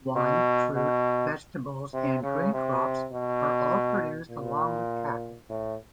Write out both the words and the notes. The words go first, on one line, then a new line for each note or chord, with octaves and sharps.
Wine, fruit, vegetables and grain crops are all produced along with cattle.
B2
B2
C3
C#3
C3
B2
A#2
A2